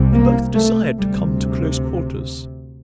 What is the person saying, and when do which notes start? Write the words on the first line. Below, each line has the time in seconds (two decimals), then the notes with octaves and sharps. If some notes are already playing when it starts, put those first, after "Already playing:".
We both desired to come to close quarters.
Already playing: C2 C3
0.12 A#3
0.55 A3
0.98 D2 C3 G3